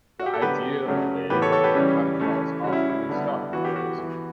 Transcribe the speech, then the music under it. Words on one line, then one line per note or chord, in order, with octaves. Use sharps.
the idea of it it kinda falls off, and it's tough because
F#4
G4
A4
D3 F#3 B3 G4 B4
C#3 F#3 A3 C#4
A2 E3 B3 G4 B4
A4 C#5
A4 C#5
G4 B4
C#3 E3 G3 C#4
E3 A3 C#4
C#3 G3 C#4 F#4
E4
E4
D3 G3 B3
E3 B3 F#4
G4
F#4
E3 B3